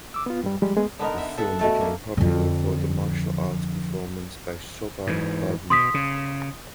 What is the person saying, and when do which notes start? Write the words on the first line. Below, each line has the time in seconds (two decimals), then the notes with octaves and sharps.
The film became popular for the martial arts performance by Sobhan Babu.
0.14 D6 E6
0.26 B3 F4
0.43 G2 G3
0.62 F3 G3 G#3 G4
0.77 G#3 A3 B3 G#4
0.99 D3 B3 D#4 A#4
1.18 E5
1.38 A4 E5 F#5
1.59 B2 A3 A4
1.81 A#3
2.17 F2 D3
5.07 G#2 E3
5.70 B2 C6 D#6 B6
5.94 C#3